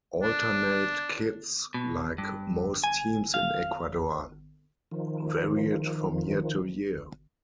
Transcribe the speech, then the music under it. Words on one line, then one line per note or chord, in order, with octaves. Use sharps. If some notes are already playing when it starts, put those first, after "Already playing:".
Alternate kits, like most teams in Ecuador, varied from year to year.
D4
B2
G2
G#5
F5
D#3 F3